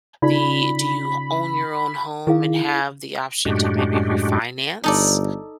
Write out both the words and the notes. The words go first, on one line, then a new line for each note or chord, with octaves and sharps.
the do you own your own home and have the option to maybe refinance?
C#3 D#4 F4 D5 B5
D#3 E4 G#4 F5
F#2 A2 G#3 D4 F#4 G4
G1 D#4 A4 D5